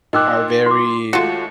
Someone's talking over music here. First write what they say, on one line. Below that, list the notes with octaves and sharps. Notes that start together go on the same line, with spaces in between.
are very
A#2 D#4 D#5 G5 D6 E6 F#6
E4 C6 D6
D#2 G#3 A3 F4 F#4 C#7